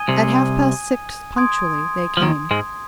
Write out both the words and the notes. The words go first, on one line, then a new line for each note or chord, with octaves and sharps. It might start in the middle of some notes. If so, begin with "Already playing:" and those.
At half-past six punctually they came.
Already playing: G#5 D#6 G#6 D#7 G7
C2 C3
C6 D#6 G#6 D7
F3
D#2 D#3
G#2 G#3